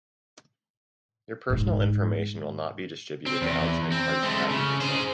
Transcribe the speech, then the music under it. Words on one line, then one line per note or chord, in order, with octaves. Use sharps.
Your personal information will not be distributed to outside parties without your consent.
G#2 G#3
C4
E2
C4
G#3 A3
C#3
G#4 C5